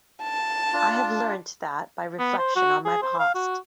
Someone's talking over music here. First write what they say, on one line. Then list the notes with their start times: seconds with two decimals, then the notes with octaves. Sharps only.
I have learnt that by reflection on my past.
0.23 A5
0.73 D4 F4
2.19 B3
2.38 C5
2.56 F#4
2.85 G#4
3.02 C5
3.19 F5
3.35 F#4